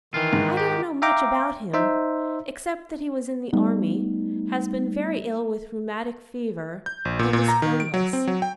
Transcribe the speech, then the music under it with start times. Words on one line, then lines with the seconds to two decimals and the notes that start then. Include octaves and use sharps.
I don't know much about him, except that he was in the army, has been very ill with rheumatic fever, and is friendless.
0.14 D#3 E3 F4
0.33 G#2
0.57 G4
1.02 E5 F5 G5 A#5 D6
1.74 D#4 C5 E5
3.53 G3 A3 B3 D#4
6.86 G6
7.05 A#1
7.19 A#2
7.33 A#2
7.48 A#5
7.62 D#3
7.80 D7
7.94 F#3
8.13 C4
8.27 F#3
8.42 G5